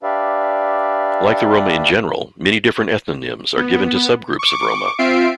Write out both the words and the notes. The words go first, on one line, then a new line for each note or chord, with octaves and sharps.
Like the Roma in general, many different ethnonyms are given to subgroups of Roma.
D4 G4 B4 D5 E5 F5
B3
C#6 D6
C4 F4 E5 C7 D7